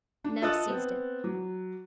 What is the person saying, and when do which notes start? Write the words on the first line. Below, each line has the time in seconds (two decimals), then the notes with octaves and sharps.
Neb seized it.
0.24 D4
0.42 F4 A4 D#5 D#6 F#6 A6
0.67 B3 C4
1.24 F#3